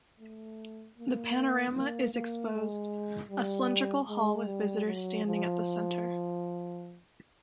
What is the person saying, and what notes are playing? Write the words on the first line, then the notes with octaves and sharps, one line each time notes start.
The panorama is exposed a cylindric hall with visitors standing at the center.
A3
A#3
A#3
A#3
G#3
G3
G#3
G3
F#3
F3